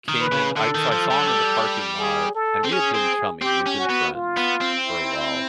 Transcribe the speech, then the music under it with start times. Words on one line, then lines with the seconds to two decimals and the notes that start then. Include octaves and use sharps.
came in, I so, I saw him in the parking lot, and we had been chummy, we'd been friends for a while,
0.08 D#3
0.21 B4
0.32 C#3
0.56 D3 A4
0.75 D#3
0.92 F3
1.11 G3
1.19 F#3
1.27 G3
1.99 G#4
2.35 A4
2.64 C4
2.71 C#4 G#4
2.94 C4
3.42 C4 G4
3.67 C#4
3.78 F#4
3.90 B3
4.14 F4
4.37 B3
4.61 C4
4.85 E4